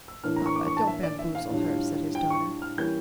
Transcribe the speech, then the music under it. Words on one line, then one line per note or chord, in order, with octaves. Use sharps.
"Papa, don't bamboozle her," said his daughter.
E6
A2 E3 A#3 D4 F6
A#5
C#6
D6
C#6
A5
E5
D5
E5
F5
A2 G3 D4 F4
G5
C#6
F6
E3 G3 A#3 C#4 E4 G6